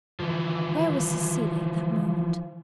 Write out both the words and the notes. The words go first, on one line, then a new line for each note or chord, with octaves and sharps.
Where was Cecilia at that moment?
E3 F3